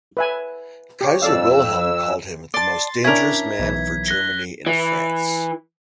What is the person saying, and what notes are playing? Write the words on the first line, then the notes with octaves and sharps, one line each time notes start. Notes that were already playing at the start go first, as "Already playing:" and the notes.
Kaiser Wilhelm called him "The most dangerous man for Germany in France".
B4 E5 G#5
G4 C#5
F2 A4 D5 F5 E6
D5 A5 C6 A6
C#4 D4 E4 A#4 G#6 B6
B1 E3
F#6 A#6 G7
E3